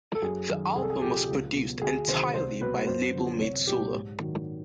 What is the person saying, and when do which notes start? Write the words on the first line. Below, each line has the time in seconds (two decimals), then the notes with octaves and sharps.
The album was produced entirely by labelmate Solar.
0.15 A4
0.22 F#2 G#4
0.49 D#3 F#3
0.76 C2 G#4
0.82 A4
0.90 G#4
1.02 A#2 F3 G4
1.29 C#2
1.55 B2 F#3
1.82 D2 G#4
2.08 C3 D#3 F#3 C5
2.34 C2 C5
2.61 B2 F#3 B4
2.87 F#2 C5
3.14 D3 F3
3.40 C2 C#5
3.67 A#2 F#3 G4
3.94 G#2
4.20 D#3 F#3